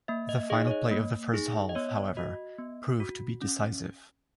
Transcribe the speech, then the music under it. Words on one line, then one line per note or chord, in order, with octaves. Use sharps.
The final play of the first half, however, proved to be decisive.
A#3 E5
D#5
D#4 G#4 D#5
C#5
D#5
A#3
D#4 G#4
D#5
B3 C#5
F#4 D#5
B3
F#4
C#4